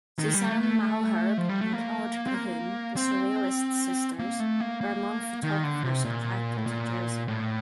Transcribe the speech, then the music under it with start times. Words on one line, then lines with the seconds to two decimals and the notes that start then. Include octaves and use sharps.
Suzanne Malherbe and Claude Cahun, the "Surrealist Sisters" were among photographers attracted to Jersey.
0.19 D#3
0.34 G3
0.49 A3
1.38 F3
1.49 G3
1.61 A3
1.73 A#3
2.27 C4
2.34 A#3
2.96 C4
4.19 A#3
4.40 A3
4.60 A#3
4.81 A#3
5.43 D#3
5.63 D3
5.84 C3
6.05 A#2
6.57 A2
6.66 A#2
7.28 A2